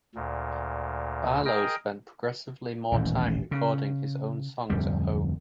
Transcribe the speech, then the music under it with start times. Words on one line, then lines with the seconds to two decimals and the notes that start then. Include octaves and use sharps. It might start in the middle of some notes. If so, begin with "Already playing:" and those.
Barlow spent progressively more time recording his own songs at home.
0.15 D2 A#2
1.46 G#4 A#4 D#5 G5
2.92 D#1 A1 D#2
3.51 C#3
4.70 D1 F2 G3